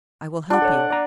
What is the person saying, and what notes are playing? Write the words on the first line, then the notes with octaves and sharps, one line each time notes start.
"I will help you."
D4 F4 F#5
A4 C#5
D5 A#5